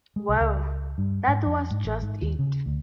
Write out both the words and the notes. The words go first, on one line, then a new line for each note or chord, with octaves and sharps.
Well, that was just it!
G#3
C2
C#2
G2
G#2
F2
G#2
A1
G#2
D#2
C#3
D2